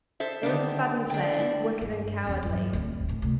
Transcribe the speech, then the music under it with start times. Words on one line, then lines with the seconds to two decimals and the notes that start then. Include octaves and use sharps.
It was a sudden plan, wicked and cowardly.
0.20 A4 C5 E5
0.43 D3 D#3 G3 D4 C5
1.10 D3 D4 G5
1.39 E4
1.81 G2
2.27 E2 C#4
2.43 G2 F#3
2.73 D1 D3
3.09 A2 E4
3.22 D2 C3